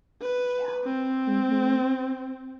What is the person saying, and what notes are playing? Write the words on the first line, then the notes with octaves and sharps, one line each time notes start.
yeah. Mhm.
B4
C4